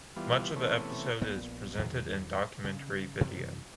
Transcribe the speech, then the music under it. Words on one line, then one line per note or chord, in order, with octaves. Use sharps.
Much of the episode is presented in documentary video.
E3 G3 B3 F4
C3 E3 A3 B3 C#4
A#1 A#2 B3
E2 D#3 F#3
C#3
F#2 C3 E3 G3